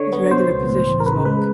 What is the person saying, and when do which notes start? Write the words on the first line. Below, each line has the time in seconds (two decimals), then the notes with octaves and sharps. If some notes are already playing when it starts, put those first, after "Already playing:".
His regular position is lock.
Already playing: D3 C#5
0.12 B3
0.31 B2 C5
0.50 C#2
0.68 A2
0.87 A1
1.00 A#4
1.06 C#3 B4
1.25 G#3 B4